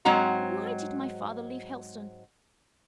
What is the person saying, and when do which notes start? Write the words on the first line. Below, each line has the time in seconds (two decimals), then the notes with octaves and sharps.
Why did my father leave Helstone?
0.05 G#2 F#3 G#3 C4 F#5 A#5